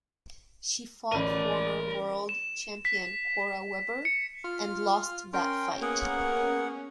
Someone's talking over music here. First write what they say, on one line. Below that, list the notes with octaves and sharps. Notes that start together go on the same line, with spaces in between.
She fought former world champion Cora Webber, and lost that fight.
A1 A#4 D5 B5 D#7
E7
B6
C#7
F4 F6
C#4 A#4 G5 C6
A#3 B3 G#4 A#4 F#5